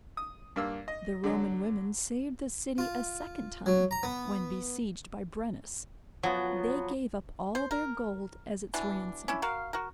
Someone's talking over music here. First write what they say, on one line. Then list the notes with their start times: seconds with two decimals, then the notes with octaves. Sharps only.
The Roman women saved the city a second time, when besieged by Brennus. They gave up all their gold as its ransom.
0.17 D#6
0.56 G2 A#3 E6
0.88 D#5
1.23 D3 F#3
2.78 F4
3.66 F#3
3.91 A#5
4.03 B3
6.23 F3 F#3 B3
7.55 C5
7.71 A#4
8.74 B2 E3 D4
9.28 C#4 D4 E4
9.42 F#4 A#4 F5
9.73 F#4 A#4